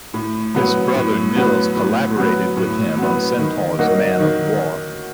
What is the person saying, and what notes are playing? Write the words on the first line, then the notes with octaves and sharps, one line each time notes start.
His brother Nils collaborated with him on Centaur's Man of War.
A2
F#3 B3
A2
F#3 B3
A2
F#3 B3
A2
F#3 B3
D#3
F#3 A#3 D#4 F#4
D#3